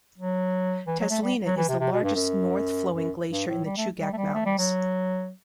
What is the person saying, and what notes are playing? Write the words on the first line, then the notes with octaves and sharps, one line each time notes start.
Tazlina is the largest north-flowing glacier in the Chugach Mountains.
F#3
E3
F#3
A3
G3
F#3
E3
C3
C3
B2
G2
F#2
F#2
G2
A2
G3
A3
G3
A3
G3
A3
G3
F#3